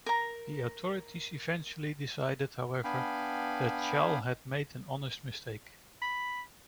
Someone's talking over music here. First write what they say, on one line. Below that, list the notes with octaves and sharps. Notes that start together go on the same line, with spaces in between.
The authorities eventually decided, however, that Chal had made an honest mistake.
A#4 A#5
B3 D4 F5 G5 G#5 B5
B5